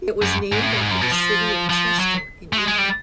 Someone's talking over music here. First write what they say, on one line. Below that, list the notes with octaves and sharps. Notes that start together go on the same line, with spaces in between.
It was named after the City of Chester in England.
F#2
G#2
A2
A#2
A2
G#2
F#2
B2
F3
F3
F#3
A3
G#3
G#3
G3